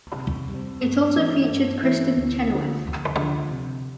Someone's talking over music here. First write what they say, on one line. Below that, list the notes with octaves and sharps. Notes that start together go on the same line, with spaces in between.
It also featured Kristin Chenoweth.
C3
G3 C4
G2
E3 A3 C4 E4
G2
E3 A3 C4 E4
D2
D3 F3
D2
D3 F3
C3